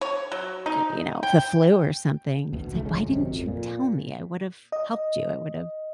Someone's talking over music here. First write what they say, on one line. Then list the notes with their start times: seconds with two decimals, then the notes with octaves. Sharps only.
y you know, the flu or something, it's like, "Why didn't you tell me? I would've helped you. I would've,
0.01 C#5
0.32 F#3
0.66 D#4
1.23 G5
2.53 D2 B2
2.72 C#2 G#2 F#3 A3
2.85 G1 C#2 G#3 C#4
3.08 G#1 F#2 C3
3.32 F2
3.48 A#2
4.72 D#5